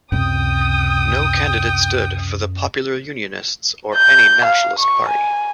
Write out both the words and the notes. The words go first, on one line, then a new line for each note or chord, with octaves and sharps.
No candidate stood for the Popular Unionists or any nationalist party.
C#2 F#2 C3 G5 D#6
G6
F5
C#6
G#5